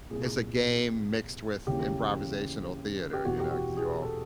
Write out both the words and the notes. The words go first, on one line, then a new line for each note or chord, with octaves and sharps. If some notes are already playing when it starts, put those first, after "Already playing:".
it's a game mixed with improvisational theater, you know, 'cause you all
C2 A#2 G#4
D#2 C#3 E3 G4
G4
E2 B2 F#4
G4
F#4
G#4
A4